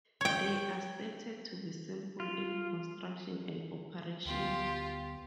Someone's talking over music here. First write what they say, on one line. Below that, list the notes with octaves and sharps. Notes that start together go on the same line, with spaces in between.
They are stated to be simple in construction and operation.
C#5 G5
F4
D2 B3 F4 G4